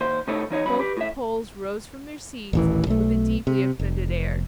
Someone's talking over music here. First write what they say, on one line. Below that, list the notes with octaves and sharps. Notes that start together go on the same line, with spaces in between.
Both the Poles rose from their seats with a deeply offended air.
D#2 C5
C3 A3 D#4 E4 A4 C#5
E3 D#4 C#5 D#5
B1 G2 F#3 C#4 B5
G4 B4
A2 E5
D#1 A1 E3
B1 A3
C3
F1